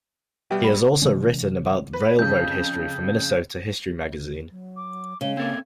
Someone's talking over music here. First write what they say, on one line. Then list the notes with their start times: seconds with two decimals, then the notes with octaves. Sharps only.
He has also written about railroad history for Minnesota History magazine.
0.51 B2 G3 G4 B4 E5
0.64 B5
1.02 C3 E3 G#3 C#4
1.93 B4
2.19 F2 C#3 G6
4.51 F#3
4.76 D6
5.21 C#3 G#3 G7
5.37 A#3 C4 A4 A#4 G#6